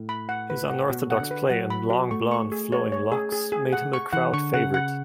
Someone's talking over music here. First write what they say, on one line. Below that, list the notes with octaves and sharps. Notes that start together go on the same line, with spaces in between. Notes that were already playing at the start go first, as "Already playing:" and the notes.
His unorthodox play and long blonde flowing locks made him a crowd favourite.
Already playing: A2
B5
F#5
B4
F#5
B2 F#4
F#5
D3
B4
F#3 F#5
B5
F#4
A3 C#6
C#6
G#4
C#5
C#5
G#4
G#4
G#4
F#5
C#6
E3 F#5
D3 C#6
C#3 F#5
F#5